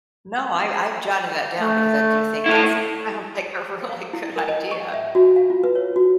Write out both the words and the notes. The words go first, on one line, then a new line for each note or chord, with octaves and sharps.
No. I I've jotted that down because I do think that sounds like a really good idea.
A3
A3 E4
F5
E4
A#4
D#5
C#6
E5
F#4
F5
F4
B4
C#5
F#4